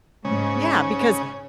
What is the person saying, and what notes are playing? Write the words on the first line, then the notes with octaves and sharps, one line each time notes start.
yeah, because
G#2 C#3